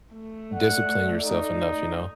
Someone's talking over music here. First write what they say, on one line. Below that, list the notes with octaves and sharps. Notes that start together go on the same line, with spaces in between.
discipline yourself enough, you know?
A3
D5 F#5
D#4